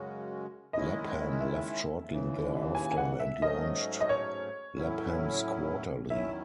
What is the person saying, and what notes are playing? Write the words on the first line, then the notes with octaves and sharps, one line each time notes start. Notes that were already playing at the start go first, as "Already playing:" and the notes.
Lapham left shortly thereafter and launched "Lapham's Quarterly".
Already playing: F#2 C#3 G#3 C#4 F#4
D#3 G#3 C#4 E4 D#5
E5
D#2 C#3 E3
G#5
G#5
F#5
E5
G#2 F#3 A3 C#4 D#5
D#5
C#5
A2 F#3 C#4 E4
E2 D#3 F#3 C#4 E4 E5